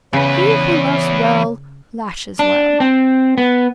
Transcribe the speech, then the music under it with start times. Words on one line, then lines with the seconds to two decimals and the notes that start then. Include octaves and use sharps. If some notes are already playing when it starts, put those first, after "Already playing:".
He who loves well lashes well.
0.13 E2 C#3 B4 C#5
2.39 D4
2.80 C4
3.38 B3